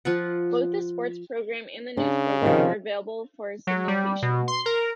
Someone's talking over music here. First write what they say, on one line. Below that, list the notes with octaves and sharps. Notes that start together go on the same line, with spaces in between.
Both the Sports program and the News Program are available for syndication.
F3 F4 F#5
C#3 D4
C3 D#3 F3
F#3
G3
B2
C6
A#4